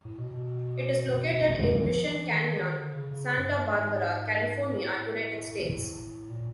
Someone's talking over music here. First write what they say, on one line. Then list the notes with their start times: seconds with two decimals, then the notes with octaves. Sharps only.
It is located in Mission Canyon, Santa Barbara, California, United States.
0.05 A2
0.18 B2
0.31 B2
1.51 C3
1.69 D3
1.86 F3
2.03 E3
2.30 D#3
2.58 D#3
2.74 D3
2.93 C#3
3.11 C#3
3.38 G2
3.64 G#2
4.71 A2
6.30 A#2